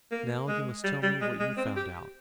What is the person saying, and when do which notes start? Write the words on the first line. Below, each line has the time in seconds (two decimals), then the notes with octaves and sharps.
"Now you must tell me what you found out."
0.11 A#3
0.48 G#3
0.84 G3
1.03 G3
1.21 G#3
1.39 G#3
1.57 C4
1.76 G4